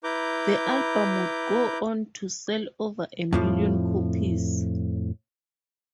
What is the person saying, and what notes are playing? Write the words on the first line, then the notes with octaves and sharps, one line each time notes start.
The album would go on to sell over a million copies.
E4 B4 A#5 D6 G6
F2 A2 F3